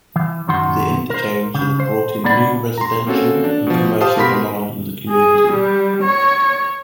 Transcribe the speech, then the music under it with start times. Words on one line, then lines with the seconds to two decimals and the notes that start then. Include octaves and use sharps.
The interchange has brought in new residential and commercial demand in the community.
0.16 E3
0.48 F#2 D#3 F#4 C6
1.10 A#4 C5
1.54 C#3
1.80 C5
2.24 C#2 A#3 B3 D4 D5 B5
2.78 A#5 C6
3.07 A#3 C4 C#4 F#4 A4
3.44 D4
3.67 B2 F3
4.00 G4 C5 F5 A5 D#6
4.17 B2 G4 A#4 B5 C6 B6
5.09 G#4
5.51 G3
6.02 C#5